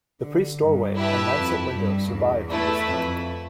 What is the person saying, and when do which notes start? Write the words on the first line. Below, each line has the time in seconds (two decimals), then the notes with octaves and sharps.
The priest's doorway and lancet windows survive from this time.
0.21 D3
0.59 G2
0.96 E4 G4 B4 E5 A5
1.35 F2
1.72 G2
2.10 E2
2.48 A3 E4 B4 E5
2.86 F2